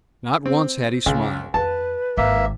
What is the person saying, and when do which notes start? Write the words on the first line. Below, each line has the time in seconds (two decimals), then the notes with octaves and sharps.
Not once had he smiled.
0.46 C4
1.06 C#2 C#4
1.54 F2 B4 A5
2.17 G#1 A#3 E5